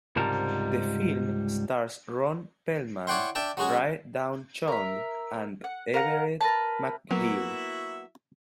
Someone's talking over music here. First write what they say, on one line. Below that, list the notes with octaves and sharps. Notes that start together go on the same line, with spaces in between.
The film stars Ron Perlman, Rae Dawn Chong and Everett McGill.
C#2 G#2 C3 G3 A#4 A5
E4 C#5 D5 F#5 G5 C6
D4 D5 E5 G5 A5
F#3 G#3 C#4 F#4 G#4
A#4 E5
F#5
A#4 F5 F#5
A#4 B4 A5
F#3 A#3 B3 E4 F#4 E5